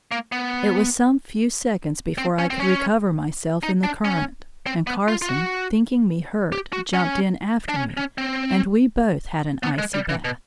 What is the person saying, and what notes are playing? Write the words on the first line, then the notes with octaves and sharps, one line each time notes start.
It was some few seconds before I could recover myself in the current, and Carson, thinking me hurt, jumped in after me, and we both had an icy bath.
A#3
B3
C4
C#4
C4
C#4
D#4
D4
C#4
C4
B3
F4
F4
F#4
G4
F#4
C#4
D4
C#4
C#4
C4
B3
G#3
G3
E3
B2